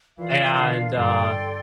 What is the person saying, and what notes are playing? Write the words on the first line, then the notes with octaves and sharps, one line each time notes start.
and, uh,
E3 F4 A#4 D5 F5
D3
G2 A4 D5 G5 C6